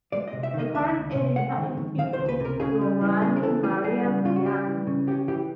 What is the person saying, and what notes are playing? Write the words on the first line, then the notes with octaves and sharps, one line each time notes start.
The current editor-in-chief is Giovanni Maria Vian.
G#3 D5
D#5
C3
E5
D#3
D#5
C#2 E5
C#2
C3
G#3 F#5
D#3
D#3
D#3 F5
C5
C#2
B4
C3 A#4
C#3 G#4
G3
E3
C#3 G#4
A#4
E3 A4
E3 G#4
G3 G#4
C#3
C#3 F4
F#4
G3 G4
E3
C#3
C#4 G4
E3 G4